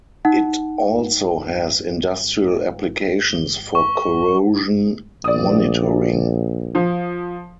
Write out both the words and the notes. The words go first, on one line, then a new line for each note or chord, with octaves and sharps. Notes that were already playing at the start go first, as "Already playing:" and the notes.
It also has industrial applications for Corrosion Monitoring.
D#4 F#5
G7
C#6
A#1 D5 D#6
F3